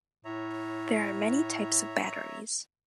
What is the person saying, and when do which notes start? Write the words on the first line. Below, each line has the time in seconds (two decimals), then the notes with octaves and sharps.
There are many types of batteries.
0.25 A2 C#5 E5 A#5